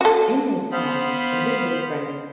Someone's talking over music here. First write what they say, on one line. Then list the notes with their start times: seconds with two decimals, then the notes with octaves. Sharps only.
in those times, and with those friends,
0.01 F#4 A4
0.72 B3 C5 F5 B5